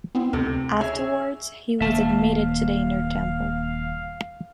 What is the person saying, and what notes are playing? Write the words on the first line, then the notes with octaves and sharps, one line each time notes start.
Afterwards he was admitted to the Inner Temple.
B3 C4 E4
D2 C3 A4
G#4 C#5 E5
D#1 A#3 E5 F5 A5